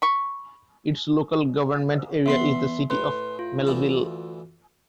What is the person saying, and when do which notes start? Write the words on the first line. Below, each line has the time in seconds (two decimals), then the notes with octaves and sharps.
Its local government area is the City of Melville.
0.02 B5 C#6
2.26 E2 B3 E5 B5 C6 C7
2.90 A2 B4 C6
3.39 F4
3.67 D2 E3 A5